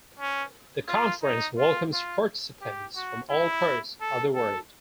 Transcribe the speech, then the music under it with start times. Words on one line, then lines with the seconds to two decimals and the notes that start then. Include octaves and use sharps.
The conference welcomes participants from all parts of the world.
0.20 C#4
0.89 F4
1.23 D#4
1.58 F4
1.93 F4
2.62 G4
2.96 F#4
3.31 E4
4.01 A4
4.35 A4